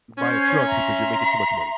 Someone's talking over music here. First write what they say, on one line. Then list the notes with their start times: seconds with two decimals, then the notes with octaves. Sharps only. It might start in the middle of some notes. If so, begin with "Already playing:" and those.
buy a truck because you're making too much money."
0.18 C#4 C5 C#5
0.66 E5 A#5 C6